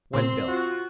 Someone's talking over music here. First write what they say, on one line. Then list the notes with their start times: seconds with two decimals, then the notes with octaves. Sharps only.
When built?
0.14 A#2 C#3 C4 C6
0.48 F4 F#4